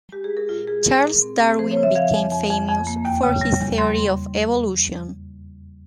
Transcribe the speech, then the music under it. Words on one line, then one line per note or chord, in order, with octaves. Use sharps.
Charles Darwin became famous for his theory of evolution.
G#3 G4
G#4
G#3
A#4
A#2 F4
G#3 G#4
A#2 A#4
A#2
C4
C4
F3 C5
C#5
C#3
E5
F3 F5
F2
F2
F2
F2
A#3
E2 G5
C#3
G3
E2
G3 C6